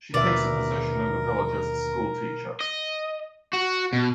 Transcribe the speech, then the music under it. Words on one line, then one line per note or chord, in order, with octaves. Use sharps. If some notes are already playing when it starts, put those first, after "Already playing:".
She takes a position in the village as a school teacher.
D#2 B2 D3 A#4 B4 D5 E5
D#5
F#4
B2